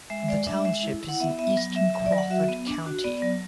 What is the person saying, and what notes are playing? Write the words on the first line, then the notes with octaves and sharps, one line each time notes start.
The township is in eastern Crawford County.
G#3 E5
G#3 D5
D4 E5
G#3 E5
E4
E4
F#5
B3 E5
B3 E5
F#3
F#3 E5
F#3 E5
D5
F#3
F#5
F#4 E5
B3
D4
F#4
B3 D5
F#3